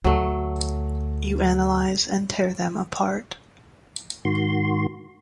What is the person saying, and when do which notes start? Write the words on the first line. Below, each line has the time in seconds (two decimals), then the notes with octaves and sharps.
You analyze and tear them apart.
0.04 D2 F#3 A3
4.25 G#2 D#3 F#4 C6